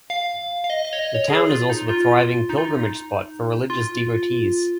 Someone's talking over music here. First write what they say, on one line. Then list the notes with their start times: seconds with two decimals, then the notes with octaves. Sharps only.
The town is also a thriving pilgrimage spot for religious devotees.
0.10 F5
0.64 F5
0.70 D#5
0.85 D#5
0.93 C#5
0.99 D#5
1.14 C#5
1.30 G#4
1.50 F4
1.70 D#4
1.89 F4
2.50 D#4
2.58 F4
2.65 D#4
3.70 F4